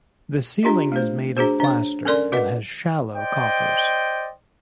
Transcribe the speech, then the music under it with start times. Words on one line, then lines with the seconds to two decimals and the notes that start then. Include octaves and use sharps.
The ceiling is made of plaster and has shallow coffers.
0.63 D4 F4 G4 D#5
0.92 A3 C5
1.37 D4 F#4 G#4 C5
1.60 D4 C#5
2.05 C#4 A4 A#4 D5 C6
2.32 F#4 B4 D#5 F#5
3.16 C5 D5 D#5 G5